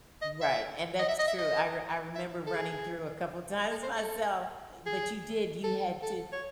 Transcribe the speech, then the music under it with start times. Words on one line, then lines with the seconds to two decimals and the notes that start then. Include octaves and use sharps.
Right, and that's true. I r I remember running through a couple times myself, but you did, you had to
0.22 D#5
0.41 E5
0.99 D#5
1.08 E5
1.19 D#5
1.28 E5
1.38 D#5
2.15 E5
2.47 A4
2.55 G#4
3.71 A4
3.83 C5
3.96 A4
4.86 G#4
5.64 A4
6.02 A4
6.33 C#5